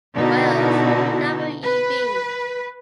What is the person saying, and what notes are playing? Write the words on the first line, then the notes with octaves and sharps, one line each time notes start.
Wells, W. E. B.
B2 D3 D#4 E4 F#4
B4